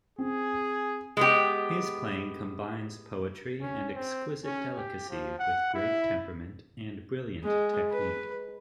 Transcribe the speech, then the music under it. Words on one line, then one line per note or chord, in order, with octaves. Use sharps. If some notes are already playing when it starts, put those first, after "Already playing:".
His playing combines poetry and exquisite delicacy with great temperament and brilliant technique.
C4 G#4
G#3 B3 G4
C#4
C4
C#4
G4
F3
F#5
E4
G#3
B4